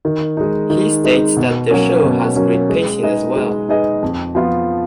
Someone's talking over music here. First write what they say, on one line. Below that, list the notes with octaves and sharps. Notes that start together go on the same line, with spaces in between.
He states that the show has great pacing as well.
D#3
G#3 D#4
D#3
G#3 D#4
B2
F#3 A#3 C#4
B2
F#3 A#3 C#4
G#3
D#4 G#4 B4 D#5
G#3
D#4 G#4 B4 D#5
F2
F3 B3 F4